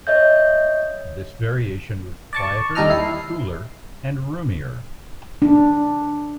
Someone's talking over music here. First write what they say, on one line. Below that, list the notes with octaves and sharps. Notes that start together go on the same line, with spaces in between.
This variation was quieter, cooler and roomier.
C#5 D#5 E5 G6
D5 A5 C#6
D#2 G3 D#4 A4 D#5 F6
E4 C7
D4